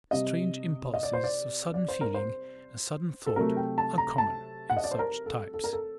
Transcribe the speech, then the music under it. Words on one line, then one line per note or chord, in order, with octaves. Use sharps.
Strange impulses of sudden feeling and sudden thought are common in such types.
C3 G3 D#5
D#5
D5
C5
D5
D5
C5
A#4
C5
A4
C3 F#3 A3 A#4
G5
A5
A#5
A5
F#5
D#5
D5
C5
A#4
A4
A4
A#4
A4